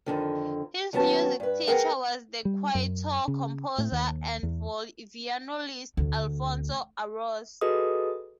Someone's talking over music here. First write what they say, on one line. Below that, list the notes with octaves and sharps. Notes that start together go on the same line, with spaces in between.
His music teacher was the Quito composer and violinist Alfonso Arauz.
F2 D3 D#3
D#2 F#3 B3 C#4 A5
G2 B4
B3 G#4 A#4 F#5 G5
G3
F#2
C#3
A2
D#2
E2
D2
F#4 G#4 A4 B4 D#5 D#6